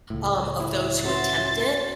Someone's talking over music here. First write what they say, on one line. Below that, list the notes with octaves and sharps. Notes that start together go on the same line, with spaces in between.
um, of those who attempt it
C#2 A2
E4
C#4 F#4 E5 C6 A6